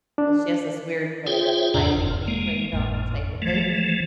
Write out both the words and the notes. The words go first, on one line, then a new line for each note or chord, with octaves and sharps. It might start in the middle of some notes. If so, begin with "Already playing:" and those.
So, she has this weird, like, biweekly freedom type of thing.
D4
F4 G#4 C5 C#5 E5 G5
E2 G#2 C3 D4 D5 A#5
F#1 F2
G#3 A#3
G#1 F2 A2
E3 F3 A3